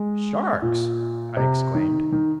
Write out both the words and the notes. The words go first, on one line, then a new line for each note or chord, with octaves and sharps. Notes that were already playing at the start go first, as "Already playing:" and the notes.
"Sharks?" I exclaimed.
Already playing: G#3
A#2
C3
D#3
D#3